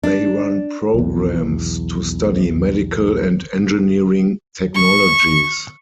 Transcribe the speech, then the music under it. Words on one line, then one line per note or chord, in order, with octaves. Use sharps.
They run programmes to study medical and engineering technologies.
D4
B1 E2
C#6